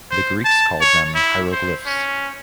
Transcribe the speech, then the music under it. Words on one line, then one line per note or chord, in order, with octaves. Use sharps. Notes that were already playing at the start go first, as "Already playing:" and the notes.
The Greeks called them hieroglyphs.
C5
A5
C#5
E4
C5
C#4